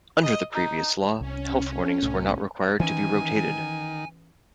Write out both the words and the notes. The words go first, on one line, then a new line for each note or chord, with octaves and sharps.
Under the previous law, health warnings were not required to be rotated.
D#5
D#4
C2 C#4
C2 A2
D#3 E3 C#4 G#5